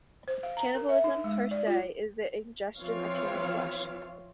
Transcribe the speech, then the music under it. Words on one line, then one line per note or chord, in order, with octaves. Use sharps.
Cannibalism per se is the ingestion of human flesh.
C5
F5
A#5
A#4
E5
D#4
G#3
D5
F4
E3 F3 C4 F4 C#5 F5